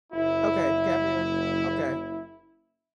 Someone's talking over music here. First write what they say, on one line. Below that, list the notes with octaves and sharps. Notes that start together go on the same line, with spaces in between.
Okay, DiCaprio. Okay.
F#1 E4